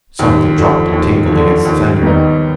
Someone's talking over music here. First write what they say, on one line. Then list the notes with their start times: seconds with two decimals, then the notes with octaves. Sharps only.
Something dropped and tinkled against the fender.
0.19 D#2
0.55 D3 F3
0.93 D#2
1.29 D3 F3
1.65 D#2
2.02 D#3 G3 B3 D#4